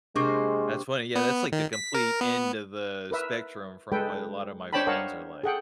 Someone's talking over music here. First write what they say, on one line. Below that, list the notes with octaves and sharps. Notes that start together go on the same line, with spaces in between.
That's funny, yeah, that's, like, the complete end of the spectrum from what a lot of my friends are like.
C3 G#3 A#3 D4 C5 C#6 D6
B3
D#3
B6
A#4
B3
A#4 B4 E5
G#3 A4 B4 G5
D4 C5 C#5 G5 A5 B5
A#4 C#5 D#5 F5 F#5 A5
G#4 A4 F#5 G5